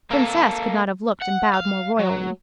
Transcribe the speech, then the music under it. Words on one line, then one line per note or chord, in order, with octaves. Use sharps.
A princess could not have looked and bowed more royally.
A#3 A4
F#5
F5
F#3